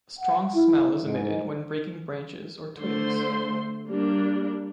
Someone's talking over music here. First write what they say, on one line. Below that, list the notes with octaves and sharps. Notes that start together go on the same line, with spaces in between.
A strong smell is emitted when breaking branches or twigs.
F#5
E4
G#2
D3 A3 C5 C6
G3 A#3 D4